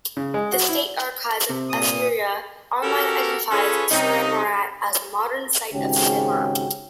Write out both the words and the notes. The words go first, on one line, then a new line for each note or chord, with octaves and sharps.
The State Archives of Assyria Online identifies "Surimarrat" as the modern site of Samarra.
C#3
G#3
F#4
E4
C3
A#2 D#6
C#4 F#4 G4 A4 A#4
C#4 F4 G#4 A4 B4 C#5
C3 G3 C#4 D#4
G#1 G#2 C#3 C#4 F#4 G4